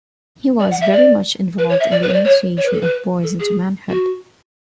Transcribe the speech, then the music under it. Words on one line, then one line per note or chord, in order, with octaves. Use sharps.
He was very much involved in the initiation of boys into manhood.
D5
F#5
E5
D5
B4
C#5
E5
D5
B4
C#5
D5
C#5
C#5
B4
A4
B4
A4
G#4
F#4